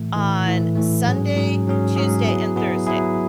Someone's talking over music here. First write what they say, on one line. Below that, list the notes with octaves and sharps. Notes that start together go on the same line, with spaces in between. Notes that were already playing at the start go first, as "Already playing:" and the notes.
on Sunday, Tuesday, and Thursday,
Already playing: A2 E3 A3
A2 E3 A3
A2 E3 A3
A2 E3 A3
G#2 F#3 C#4 G#4
G#2 F#3 C#4 G#4
G#2 F#3 C#4 G#4
G#2 F#3 C#4 G#4
F#3 B3 E4 G#4
F#3 B3 E4 G#4
F#3 B3 E4 G#4